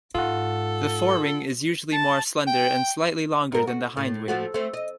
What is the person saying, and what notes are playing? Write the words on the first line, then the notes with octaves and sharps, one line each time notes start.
The forewing is usually more slender and slightly longer than the hindwing.
G#2 F4 A4 F#5
A5
G5
G#2 A#4
F#4
A2
F3 A3 F#4
A3 C4
D#5